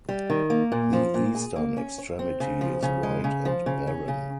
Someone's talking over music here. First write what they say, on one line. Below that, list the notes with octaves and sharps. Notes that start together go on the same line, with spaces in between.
The eastern extremity is white and barren.
G3
D#3
A#3
A#2
F3
A#2
G#4
A#3
C#4
C#5
C4
C#3
F3
C#3
G#3
C#3
F3
C#3
C#4
C#3